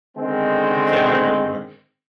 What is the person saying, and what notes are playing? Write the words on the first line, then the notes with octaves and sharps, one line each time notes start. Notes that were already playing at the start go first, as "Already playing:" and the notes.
You can't argue anymore."
D3 D#3 G#3 B3 C4